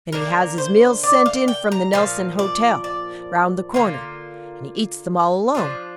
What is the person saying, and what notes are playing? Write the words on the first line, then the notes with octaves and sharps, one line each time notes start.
Then he has his meals sent in from the Nelson Hotel round the corner, and eats them all alone.
D3 A#3 D4 A#4
C5
D5
F5
G5
A#5
A#2 F3 F5
D5
D5
D3 A#3 F4
F3 D4 F4